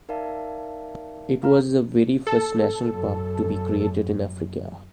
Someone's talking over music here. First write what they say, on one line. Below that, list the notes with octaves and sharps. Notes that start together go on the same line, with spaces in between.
It was the very first National Park to be created in Africa.
D#4 A#4 D5 E5 F5 A5
F5 A#5 F6
A4
F#2